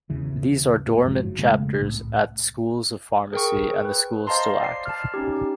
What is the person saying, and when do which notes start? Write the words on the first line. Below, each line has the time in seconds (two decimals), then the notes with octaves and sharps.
These are dormant chapters at schools of pharmacy, and the school is still active.
0.10 E2 C#3 E3
0.87 A2
1.04 F#1 G#2 F3 F#3
1.38 E1 C#3 G#3 A3
1.81 C2 A2
3.33 G#4 A#4 G5 C#6
3.85 B4
4.27 C5 D#5 F5 A5 A#5 C6
4.60 D5 C7
4.86 A5 F6
5.14 C#4 D#4 G4